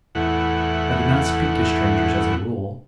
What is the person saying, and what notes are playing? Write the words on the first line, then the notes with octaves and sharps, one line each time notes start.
I do not speak to strangers as a rule.
E2 A2 F#5